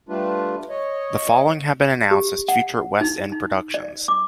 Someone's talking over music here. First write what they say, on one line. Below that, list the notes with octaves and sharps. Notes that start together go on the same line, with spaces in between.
The following have been announced as future West End productions.
G3 A3 D4 F4 B4
C#5 D#5
G4
F#5
D#4
D#4
D5
D6